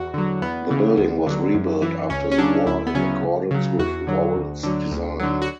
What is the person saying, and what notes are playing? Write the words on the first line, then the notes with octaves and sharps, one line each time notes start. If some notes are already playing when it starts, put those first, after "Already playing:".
The building was rebuilt after the war in accordance with Warren's design.
Already playing: E2 F#4
D3 F#3
E2 B3
C#3 E3
D2
D3 F#3
F#2
E3
C#2 C#4
C#4
C#3 F#3 D4
D2 E4
B3
C#3 F#3 C#4
C#2
C#3 F#3
E2 F#4
D3 F#3
D2
D3 F#3
D2
D3 F#3
F#4